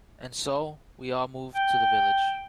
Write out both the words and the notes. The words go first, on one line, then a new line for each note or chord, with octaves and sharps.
And so we all moved to the village.
G5